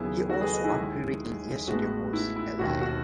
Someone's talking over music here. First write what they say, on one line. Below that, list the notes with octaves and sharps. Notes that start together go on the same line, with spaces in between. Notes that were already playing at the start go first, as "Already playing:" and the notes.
He also appeared in "Yesterday Was a Lie".
Already playing: D#2 C#3 F#3 B3 E4 G#4
F#4 A4
G#4 B4
B4 D#5
E4 G#4
D#2 D#3 G#3
A1 A2 G#3 B3 F#4
E4
E4
E1 D#2 D#3 F#4
F#4